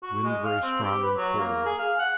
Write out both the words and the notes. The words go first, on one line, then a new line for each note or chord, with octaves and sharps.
Wind very strong and cold.
F#4
G#3
F5
C4
G4
B4
F#3
A#3
G#4
F5
F#5